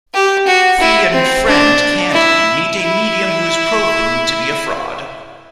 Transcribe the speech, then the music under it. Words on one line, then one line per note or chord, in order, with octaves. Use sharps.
Fi and friend Candy meet a medium who is proven to be a fraud.
G4
F#4
E4
C4
D4
E4
E4